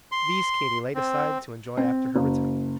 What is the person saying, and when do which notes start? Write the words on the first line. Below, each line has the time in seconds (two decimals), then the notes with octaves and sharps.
These Katy laid aside to enjoy after her return.
0.12 C6
0.95 C4
1.77 C4
2.16 F#1